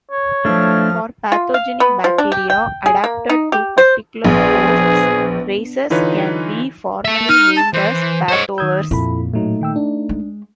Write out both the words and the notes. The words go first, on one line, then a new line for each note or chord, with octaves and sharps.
For pathogenic bacteria adapted to particular hosts, races can be formally named as pathovars.
C#5
F3 A3 D4 E4 F6
F4
F5
B3
F3
D4
G4
G5
G#4
A#3
D#4
G4
C5
A#1 B3 D4 G#4 B4 C5
D3 E3 D#4 F4 B4 C#5
A4 E5
D#4 F6
A5
E3 C5
C5 C#5 D#5
D#3 D#6 E6 G6 G#6
F2 A#2 E4 A4 B5
A2 F#3 A3 D#4
D#3 G5 E6
D4
G#3